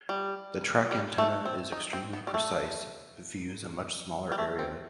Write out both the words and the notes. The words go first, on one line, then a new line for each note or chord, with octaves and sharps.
The track antenna is extremely precise, but views a much smaller area.
G3
G3
A3
C4
D#4
C4
B3
G3
A3
G3
A3
C4